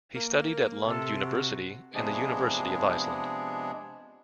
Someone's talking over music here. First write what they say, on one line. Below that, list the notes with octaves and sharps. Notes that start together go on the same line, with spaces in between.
He studied at Lund University and the University of Iceland.
A#3
C3 A4
F#4
C3 F3 G#3 B3 D4 G#4